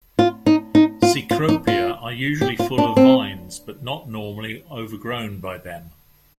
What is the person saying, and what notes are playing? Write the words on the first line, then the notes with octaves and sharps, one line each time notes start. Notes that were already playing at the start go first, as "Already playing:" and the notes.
"Cecropia" are usually full of vines but not normally overgrown by them.
F4
D#4
D#4
F4
F4
D#4
F4
G4
F4
D4
C4